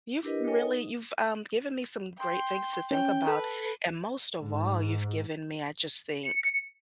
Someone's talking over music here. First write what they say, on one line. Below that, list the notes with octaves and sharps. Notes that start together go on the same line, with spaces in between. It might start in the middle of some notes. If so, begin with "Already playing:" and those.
You've really you've, um, given me some great things to think about, and most of all, you've given me, I just think,
D4 E4 G4 A#4 B4 D#5
A4 A#4 C#5 D#5 G5 G#5
D#4
G5 C6
C#4 G5
A4 B4
G#2
C#7